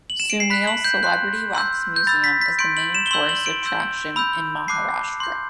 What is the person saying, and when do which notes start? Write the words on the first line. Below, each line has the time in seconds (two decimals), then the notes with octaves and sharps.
Sunil's Celebrity Wax Museum is the main tourist attraction in Maharashtra.
0.10 F#7
0.20 E7
0.30 D7
0.40 C7
0.50 B5 F#6 B6
0.67 F#7
0.84 G6
1.03 C6 F#6
1.55 C6 E6 G6
1.96 G6
2.07 B5 E6 G6 A6
2.24 B6
2.41 B6
2.59 C6 G6 D7
2.77 F#7
2.95 E7
3.06 G7
3.11 C6 E6 G6 F#7
3.29 F#7
3.46 D7
3.63 C6 E6 G6
4.16 B5 E6 G6
4.68 A5 D6 F#6 C7
5.20 C6 G6